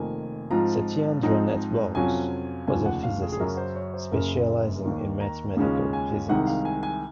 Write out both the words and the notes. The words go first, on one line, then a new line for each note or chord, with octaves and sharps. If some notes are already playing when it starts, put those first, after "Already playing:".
Satyendra Nath Bose was a physicist, specializing in mathematical physics.
Already playing: F1 F2 D#3 A#3 G#5
G#2 F3 C4 F4 A#5
G#2 F3 C4 D#4 A#5
F2 C3 F#3 C#4 F4 G#5
F1 D#2 C#3 F3 G#5
F#5
F5
G#4
G#4
F#2 C#3 F#3 C#4 A#4
C5
C#5
C5
F#1 F#2 C#3 A#4
D#2 D#3 A#3
A#5
D#2 C#3 G#3 C#4 F4
G#5
C2 C3 D#3 G#3 D#4 F#5
F5
G#5
G#5